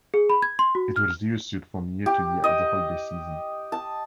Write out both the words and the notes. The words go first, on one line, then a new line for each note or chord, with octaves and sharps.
It was reissued from year to year at the holiday season.
G#4
B5
G#6
C6
F#4
F6
G4
D#5
A5